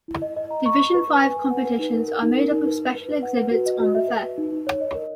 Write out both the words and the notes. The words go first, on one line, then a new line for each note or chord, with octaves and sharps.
Division Five competitions are made up of special exhibits on the fair.
E4
D#5
D#5
A#5
C#6
C#6
B4
B4
G#5
B4
F#5
B4
D#4
A#4
A#4
D#4
A#4
D#4
B4
B4
B4
B4
F#5
B4
F#4
D#5
F#4
E5
B4
B4
D#4
D#4
C#5
D#5
A#4